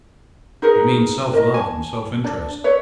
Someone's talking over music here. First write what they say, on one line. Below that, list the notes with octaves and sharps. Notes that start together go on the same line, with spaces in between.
You mean self-love and self-interest.
D#4 G#4 A#4 B4
A#4 D#5
G#5 A5
D4 D5 A5
B4 C#5 D5 E5